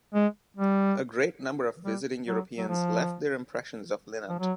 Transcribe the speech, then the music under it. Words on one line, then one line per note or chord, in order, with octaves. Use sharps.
A great number of visiting Europeans left their impressions of Linant.
G#3
G3
G3
F#3
F#3
F3
F3
F#3